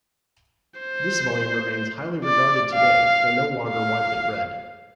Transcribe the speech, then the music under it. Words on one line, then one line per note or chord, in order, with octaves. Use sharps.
This volume remains highly regarded today, though no longer widely read.
C5
D5
F5
F5